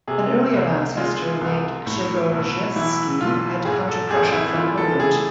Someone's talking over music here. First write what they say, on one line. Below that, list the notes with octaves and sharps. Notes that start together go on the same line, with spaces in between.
An earlier ancestor named Grzegorzewski had come to Prussia from Poland.
C3 G#4
C2
G#3 F4
C2
A2
B1
E3 E4
B1 F4
G#2 G#4
A4
G#1 G#4
E4
E3 F4
A4
A3 G#4